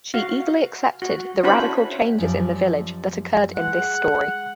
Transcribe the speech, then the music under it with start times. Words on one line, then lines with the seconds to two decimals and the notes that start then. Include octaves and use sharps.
She eagerly accepted the radical changes in the village that occurred in this story.
0.14 F#4 F5
1.02 F#4
1.43 C#4 D4 E4 F#4 C5 B5
2.18 F#2 F3 G3
3.56 G#3 F#5